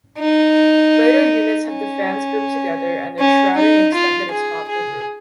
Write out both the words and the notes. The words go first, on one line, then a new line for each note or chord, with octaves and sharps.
Later units have the fans grouped together, and their shrouding extended atop the roof.
D#4
C#4
C#4
D#4
F4
G#4
G#4